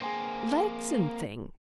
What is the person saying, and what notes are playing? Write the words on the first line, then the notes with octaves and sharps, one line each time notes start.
Legs and things!
A#3 C4 G#4 G#5 C6